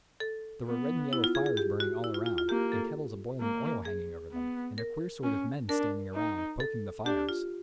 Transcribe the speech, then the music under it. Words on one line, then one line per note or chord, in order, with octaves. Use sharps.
There were red and yellow fires burning all around, and kettles of boiling oil hanging over them, and a queer sort of men standing round, poking the fires.
A4
B3
E4
F4
G#4
G#4
G4
F#4
E4
F4
F4
F4
A#3 G4
A4
A#3
G#4
B3
A#4
C#4
D4 A#4
D#4
A4
D4 G4
F4